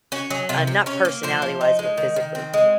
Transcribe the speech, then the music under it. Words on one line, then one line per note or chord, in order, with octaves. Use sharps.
Uh, not personality-wise, but physically.
C#4 F#4
F#3 G#4
C3 F4
C3
C#4 C#5
A#3
F3 C5
F3
D#4
G#3
D#3
D#3
C4
G#3